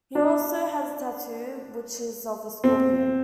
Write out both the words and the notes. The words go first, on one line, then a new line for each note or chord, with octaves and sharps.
He also has a tattoo which is of a scorpion.
D4
C4